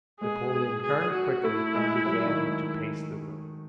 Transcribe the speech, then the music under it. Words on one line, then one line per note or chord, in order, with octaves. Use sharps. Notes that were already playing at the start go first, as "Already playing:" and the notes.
Napoleon turned quickly and began to pace the room.
G#3 G#4
G#4
F#4
A3 E4
G#3
F#3
D#3
G#3